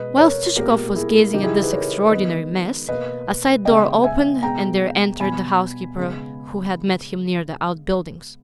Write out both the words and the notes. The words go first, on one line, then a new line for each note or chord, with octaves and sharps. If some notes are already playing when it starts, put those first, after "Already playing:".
Whilst Chichikov was gazing at this extraordinary mess, a side door opened and there entered the housekeeper who had met him near the outbuildings.
Already playing: B2 G#3 B3 B4 D#5
A#4 C#5
A#2 G#3 B3 G4 A#4
E4 G#4
C#3 E3 G3 D#4 G4
E4 G#4
G#4 B4
A#4 C#5
D#3 G#3 B3 B4 D#5
B2 A#3 B4 D#5
C#3 G#3 B3 D#5 G5
E5 G#5
B2 G#3 B3 G5 A#5
B2 G3 B3 G#5 B5
C#3 G#3 B3